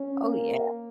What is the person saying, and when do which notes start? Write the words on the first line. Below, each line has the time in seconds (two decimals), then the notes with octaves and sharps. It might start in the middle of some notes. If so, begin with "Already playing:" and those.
Oh, yeah.
Already playing: C#4
0.26 A#3